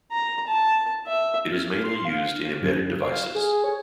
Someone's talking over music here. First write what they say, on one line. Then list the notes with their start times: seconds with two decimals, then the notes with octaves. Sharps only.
It is mainly used in embedded devices.
0.11 A#5
0.47 A5
1.07 E5
1.52 F6
1.84 C6
2.05 F5
2.61 F#2
3.02 F5
3.35 G#4
3.64 C#5